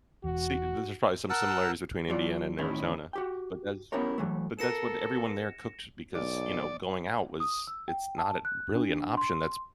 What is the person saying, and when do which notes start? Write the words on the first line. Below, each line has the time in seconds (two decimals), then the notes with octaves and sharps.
See, there's probably some similarities between Indiana and Arizona, but that's but but that's what everyone there cooked because, you know, going out was it's not a really an option that's
0.24 E1 E2 F#4
1.30 A#4 F#5 A5 E6
2.09 F#3 F4 D5
2.58 A2 D#3 C4 C#4 E4
3.13 F#4 G4 G5
3.92 B3 C#4 E4 G4 A#4 C#5
4.18 E3 F#3 A3
4.59 B3 F4 A4 A#4 A#6 C#7 E7
6.15 B1 D5
7.40 D#6
7.67 E6
7.88 G5
8.18 A5
8.45 F#6
8.75 D4
9.17 C6